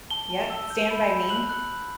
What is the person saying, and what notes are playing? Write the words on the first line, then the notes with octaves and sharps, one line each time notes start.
Yep, Stand By Me,
A5 G7
A5
E6
G6
B5
B5
F#6 F#7
F#6